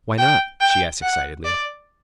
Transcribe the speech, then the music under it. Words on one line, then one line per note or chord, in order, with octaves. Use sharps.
"Why not?" she asked excitedly.
G5
G5
F#5
D5